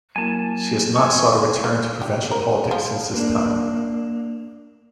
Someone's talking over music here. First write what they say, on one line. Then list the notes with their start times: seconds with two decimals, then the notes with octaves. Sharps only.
She has not sought a return to provincial politics since this time.
0.16 F#3 A#3 E4 G#5 A5
0.96 E2 D#5 G#5 A5 C#6
1.64 A#3
2.02 G4
2.31 A#4
2.71 F3
3.14 A#3 D4